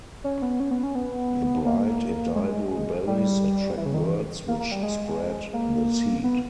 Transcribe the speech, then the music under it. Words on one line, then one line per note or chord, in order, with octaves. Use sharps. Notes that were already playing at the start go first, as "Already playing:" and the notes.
The bright edible berries attract birds, which spread the seed.
C#4
B3
C#4
B3
C#4
B3
A#3
G#3
G3
E3
C#3
D#3
E3
A#3
A#3
G3
G#3
A#3
B3